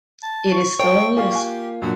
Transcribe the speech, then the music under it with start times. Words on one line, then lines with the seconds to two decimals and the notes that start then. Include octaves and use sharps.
It is still in use.
0.23 A5
0.51 C#6
0.80 A4 C5 C#5 F5 G5
1.17 A#3 F4 G4 G#4 D5 F5
1.32 F5 G#5
1.82 F#2 A#2 D3 F#4